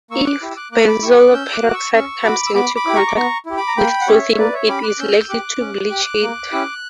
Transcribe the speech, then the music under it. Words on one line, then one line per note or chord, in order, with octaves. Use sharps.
If benzoyl peroxide comes into contact with clothing it is likely to bleach it.
A#3 C#6 E6
D6 F#6
E4 G4
E6
D6 F#6
A#3 D6 F#6
B5 D6
E4 G4 C#6 E6
D6 F#6
C#4 E6 G6
D6 F#6
F#4
D6
C#6 E6
C#4 C#6 E6
F#4 B5 D6
E6
B3 B5 D6
B5 D6
E4 G4
A#5 C#6
D6
B3 A#5 C#6
E4 G4
B5 D6
A#5
A#3 G5 B5
F#5
C#4 G4 C#5 E5
C#5
A#3 B4 D5
C#5 E5
C#4 G4 B5 D6
D6 F#6
C#4 E6 G6
G4 D6 F#6
C#4
G4
A#3
C#4 E4 G4